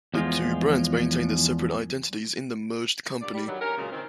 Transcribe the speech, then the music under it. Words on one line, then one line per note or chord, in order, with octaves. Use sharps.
The two brands maintain their separate identities in the merged company.
E2 F3 G3 G#3 F4
A#2 D4 G4 D5
G3
G2 D#3 F#3
C#4 A#4
A#2 C#3 F#3 G#3 A#3
D#3 C4